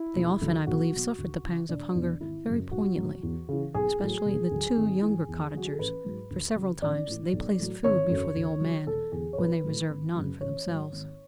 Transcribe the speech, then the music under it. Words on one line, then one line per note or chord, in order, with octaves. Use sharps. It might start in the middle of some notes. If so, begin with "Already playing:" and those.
They often, I believe, suffered the pangs of hunger very poignantly, especially the two younger cottagers, for several times they placed food before the old man when they reserved none for themselves.
Already playing: E4
E1
D2 D3 F#3
B1 F#4
B2 F#3
D2
C#3 E3
E1 D4
E2 B2
G#1 E4
F#2 C#3
B1 F#4
A2 F#3
E2
C#3 E3
B1 G#4
A2 F#3
E1
D2 D3 F#3
G#1
G#2 E3
E2
D3 F#3 F#4
G#4
A4
A1 B4
G#2 F#3
D2
C#3 F#3
A1 D5
A2 E3
B1
A2 F#3
G#1 C#5
F#2 D3 F#3
D2
D3 F#3
E1 A4
E2 D3 G#4
C#5
B1 B4
A2 F#3
G#1
F#2 C#3 F#3
A1 C#5
G#2 F#3
G#1